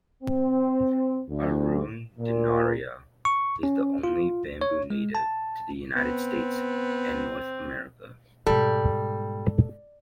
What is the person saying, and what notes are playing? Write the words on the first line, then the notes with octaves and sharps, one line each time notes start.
"Arundinaria" is the only bamboo native to the United States and North America.
C4
D2
A#2
C#6
C#4
F4
C#5
G#3
A5
B3 C4
G#2 B2 G3 A4